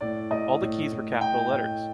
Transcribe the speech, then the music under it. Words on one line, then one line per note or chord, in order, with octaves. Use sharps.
All the keys were capital letters.
A2 D5
A2 D#5
A2
A2
A2 G5
A2